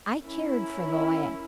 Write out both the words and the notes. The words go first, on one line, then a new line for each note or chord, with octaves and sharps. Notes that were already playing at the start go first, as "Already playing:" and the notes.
I cared for the lad.
C#4 E4 A#4